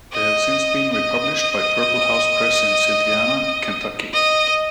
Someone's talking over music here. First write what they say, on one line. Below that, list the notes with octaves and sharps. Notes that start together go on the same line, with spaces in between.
They have since been republished by Purple House Press in Cynthiana, Kentucky.
D#5
D#5
D#5